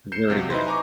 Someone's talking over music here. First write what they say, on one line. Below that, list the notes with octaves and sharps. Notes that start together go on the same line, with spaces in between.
Very good.
G6 C7 C#7 E7
B1 C3 F#3
D#4 E4 B4 C5
G#5 A#5 C#6 D6